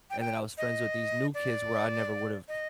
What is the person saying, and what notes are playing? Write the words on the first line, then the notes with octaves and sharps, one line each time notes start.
and then I was friends with these new kids where I never would've
G5
G5
D#5
D5
D#5